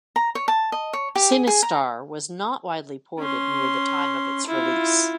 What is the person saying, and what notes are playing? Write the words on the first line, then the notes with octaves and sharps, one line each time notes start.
"Sinistar" was not widely ported near the time of its release.
A#5
C#5
A5
D#5
C#5
G4
G#4
G#4
A#5
C#4 C6
E4 F4